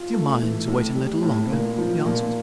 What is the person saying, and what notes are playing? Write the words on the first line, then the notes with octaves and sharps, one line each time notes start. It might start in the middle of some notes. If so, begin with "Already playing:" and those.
"Do you mind waiting a little longer?" he asked.
Already playing: F4
A3
E3
A2
G3
A2
A#2
F3
A#2